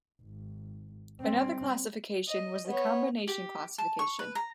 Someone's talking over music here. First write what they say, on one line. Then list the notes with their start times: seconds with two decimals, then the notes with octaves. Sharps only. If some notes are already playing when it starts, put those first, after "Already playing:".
Another classification was the combination classification.
0.23 G#1
1.20 G3 C4
2.28 D#5
2.67 B3 C#5
3.28 G4
3.78 A5
3.99 C#6
4.19 B4
4.35 A#5